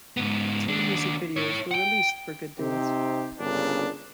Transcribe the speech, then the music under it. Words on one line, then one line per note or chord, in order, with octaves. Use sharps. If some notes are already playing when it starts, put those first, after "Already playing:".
Two music videos were released for "Good Days".
G#2 B3
D#2 D4
E4 C#5
F#5 G5
C3 C4 D#4 G4
G1 A#2 C#3 D4